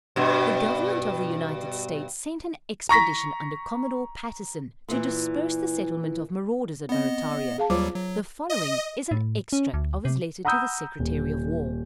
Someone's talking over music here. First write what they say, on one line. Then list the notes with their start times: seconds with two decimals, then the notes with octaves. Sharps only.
The government of the United States sent an expedition under Commodore Patterson, to disperse the settlement of marauders at Barrataria; the following is an extract of his letter to the secretary of war.
0.16 G2 B2
2.89 A#5 C#6 A#6 B6
4.89 A#2 E3
6.89 B3 C4 D#5
7.58 G#4 F5 A5
7.70 D#2 F#3 G3 F4 C5 D6
7.95 F#3
8.50 D#5
9.11 A2
9.53 C#4
9.74 D2
10.05 C3
10.45 F#5 A#5 B5 D#6 E6 G6
10.99 D#1